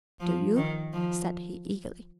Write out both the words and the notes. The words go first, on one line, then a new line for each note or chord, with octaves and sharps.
"Do you?" said he eagerly.
F3
D#3
F3